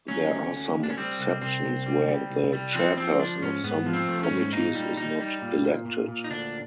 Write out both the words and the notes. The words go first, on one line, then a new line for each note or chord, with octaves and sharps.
There are some exceptions where the chairperson of some committees is not elected.
F#3 C#4
D2
D2
D2
D4
C#4
G3 C4
C2
C2 C4
C2
G3
G3
C2
G3
F3 C4
F3 C4
F3 D4
G#2 C#4
G#2 B3
F3
C4
A3
C#4
G#2
A#2 D#4
G3
G3 D#4
G3
A#2
A#2
A#2
A#2
D#4
D2 D4